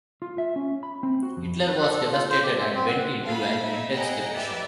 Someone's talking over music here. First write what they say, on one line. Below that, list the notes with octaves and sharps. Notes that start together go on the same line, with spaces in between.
Hitler was devastated and went into an intense depression.
F4
E5
C#4
B5
C4
F#4
F2
B4
A4
A4
F4
C5
G4
E5
C4
F#5
A4 F5 B5
D#4 E5
E4 G#4 D#5 F#5 G5 A#5
G4 B4 D5 E5